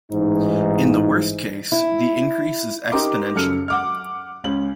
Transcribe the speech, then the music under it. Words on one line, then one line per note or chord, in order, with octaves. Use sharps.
In the worst case, the increase is exponential.
A1 G#2 E3 D#4
E4
D#4 G4 A#4 A#5 C6 D6
F#2 C#3 A4 F6 C#7
F#5 D6 F6
C#2 C#4 F#7